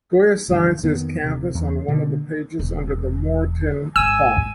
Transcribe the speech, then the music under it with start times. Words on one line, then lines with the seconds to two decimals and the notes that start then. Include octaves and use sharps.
Goya signs his canvas on one of the pages under the Moratin palm.
0.48 F#1 D2 G2 E3
0.83 F2 D#3 B3
1.22 D#1 C3
1.55 E2
1.88 B2 D3
2.59 E1 E2
3.96 G#1 G#3 G#5 E6